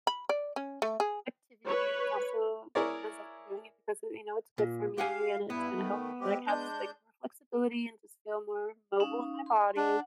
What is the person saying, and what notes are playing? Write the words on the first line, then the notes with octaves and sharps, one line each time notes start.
activity, it's also because I'm doing it because of you know, it's good for me and it's gonna help me, like, have s like, more flexibility and just feel more mobile in my body,
B5
D5
C#4
A3
G#4
B4 C#5
E4 G#4 A#4 C#5 D5
A#2
G4 F5 F#5 G#5
G2 B3 E4
D#3 A3
G#3 C4 G4
G#3 D4 G6
C#4 D#4 F5
C6
D4 F#5